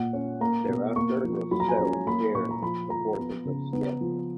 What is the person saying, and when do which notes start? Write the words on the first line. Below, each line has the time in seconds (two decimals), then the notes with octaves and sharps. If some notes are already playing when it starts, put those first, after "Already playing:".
Thereafter Grosseto shared the fortunes of Siena.
Already playing: A#2 F#5
0.13 C#4
0.41 A#3 A#5
0.69 B2
0.96 A#3 C#6
1.24 F3
1.51 F#3 B5
1.60 A#5
1.68 G#5
1.77 C#4 A#5
2.07 A#3 B5
2.34 A#2 C#6
2.51 A#5
2.62 F3 B5
2.90 F3 A#5
3.18 B3
3.45 C#3
3.73 B3
4.01 F3